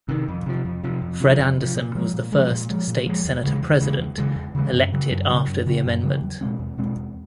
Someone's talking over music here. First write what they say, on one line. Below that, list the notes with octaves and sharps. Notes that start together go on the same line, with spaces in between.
Fred Anderson was the first state senate president elected after the amendment.
C3 D#3
F2
C3 F3
F2
C3 F3
F2
C3 F3
F2
C3 F3
A#2
F3 G#3
A#2
F3 G#3
A#2
F3 G#3
A#2
F3 G#3
E2
C#3 E3 G#3
E2
C#3 E3 G#3
E2
C#3 E3 G#3
E2
C#3 E3 G#3
F#2
C#3 F#3
F#2
C#3 F#3
F#2
C#3 F#3
F#2
C#3 F#3
E2
B2 G#3 C4
E2
B2 G#3 C4
E2